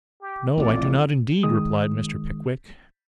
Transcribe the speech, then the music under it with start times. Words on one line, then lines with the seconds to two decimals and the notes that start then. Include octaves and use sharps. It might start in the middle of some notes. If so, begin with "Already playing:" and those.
'No, I do not indeed,' replied Mr. Pickwick.
0.21 G4
0.58 A1 F2 A2 D5
1.43 D#3 G#3 D#6